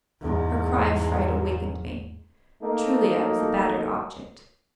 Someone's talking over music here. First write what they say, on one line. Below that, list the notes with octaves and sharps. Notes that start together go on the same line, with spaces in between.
Her cry of fright awakened me. Truly, I was a battered object.
E2 G#2
A3 A#3 D#4